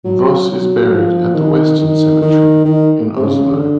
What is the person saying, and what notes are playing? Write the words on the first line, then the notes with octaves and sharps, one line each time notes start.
Voss is buried at the Western Cemetery in Oslo.
F#3
F#3
F3
D#3
D#3
D#3
D#3
C3
C#3
D3